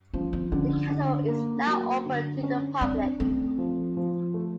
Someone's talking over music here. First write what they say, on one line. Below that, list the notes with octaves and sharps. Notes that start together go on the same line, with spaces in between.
The castle is now open to the public.
F3 C#4
C4
D3 C#4
D3
A#3
F#3
D3
C#4
C4 D4
A3 C4
F3
F3
A3